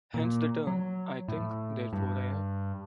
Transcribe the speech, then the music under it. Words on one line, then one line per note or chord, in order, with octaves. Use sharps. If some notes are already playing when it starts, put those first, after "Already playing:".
Hence the term I think, therefore I am.
A#2
F#3
A2
G2